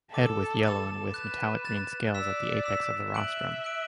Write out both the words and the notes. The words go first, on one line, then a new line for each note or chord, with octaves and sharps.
Head with yellow and with metallic green scales at the apex of the rostrum.
A4 D6 A6 E7
D6 A6 E7
B4 F#6 A6 E7
F#6 A6 E7
D5 E6 B6 E7
E6 B6 E7
E5 F#6 D7 F#7
F#6 D7 F#7